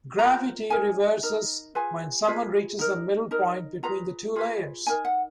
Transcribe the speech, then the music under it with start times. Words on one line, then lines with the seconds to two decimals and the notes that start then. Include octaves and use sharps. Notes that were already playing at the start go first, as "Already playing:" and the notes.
Gravity reverses when someone reaches the middle point between the two layers.
0.18 F4 A#4 A#5
0.70 D#4 A#4 G#5
1.23 D#4 A#4
1.75 F4 G#4 B4 G#5
2.27 F4 G#4 B4
2.79 D#4 A#4
3.31 D#4 A#4
3.83 F4 G#4 B4 A#5
4.36 F4 G#4 B4
4.87 D#4 A#4 G#5
5.05 F#5